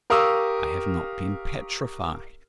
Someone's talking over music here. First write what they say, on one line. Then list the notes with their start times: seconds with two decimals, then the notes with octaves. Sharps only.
I have not been petrified.
0.10 G4 A#4 F5 C#6 D#6 E6